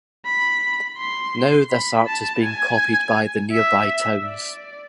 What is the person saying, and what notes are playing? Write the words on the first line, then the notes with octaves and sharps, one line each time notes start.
Now this art is being copied by the nearby towns.
B5
C6
B5
A5
G#5
E5
D5